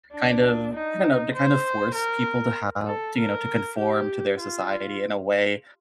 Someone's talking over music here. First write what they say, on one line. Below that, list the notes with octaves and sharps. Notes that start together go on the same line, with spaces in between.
kind of, I don't know, to kind of force people to have, t you know, to conform to their society in a way,
D4
D#4
C5
A#4
A4
A#4
G4
F4